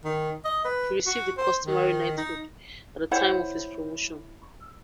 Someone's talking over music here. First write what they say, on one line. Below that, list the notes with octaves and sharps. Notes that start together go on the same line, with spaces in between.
He received the customary knighthood at the time of his promotion.
D#3
D#5
B4
F#4
C5
D#3
D#4
E4 C5 C#5 F#5